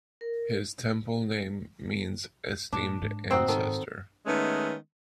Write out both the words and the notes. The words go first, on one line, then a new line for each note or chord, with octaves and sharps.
His temple name means "Esteemed Ancestor".
A#4
A2 D4
G#2
C4 D#4 F#4
D#3 D#4 A4
D#3 G#3 A3 B3 C#4